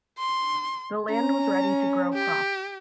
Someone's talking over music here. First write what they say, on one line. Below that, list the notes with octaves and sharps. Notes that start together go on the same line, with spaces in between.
The land was ready to grow crops.
C6
C#4 A#5
G4